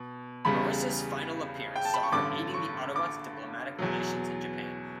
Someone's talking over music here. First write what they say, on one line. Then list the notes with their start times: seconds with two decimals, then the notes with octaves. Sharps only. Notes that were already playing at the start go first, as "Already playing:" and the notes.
Marissa's final appearance saw her aiding the Autobots' diplomatic relations in Japan.
Already playing: B2
0.45 E2 C#3 G3 B5
1.76 G5
1.85 A5
1.94 B5
2.03 C#6
2.12 A1 G2 D3 D6
2.54 C#6
2.96 D6
3.78 E2 B2 F#3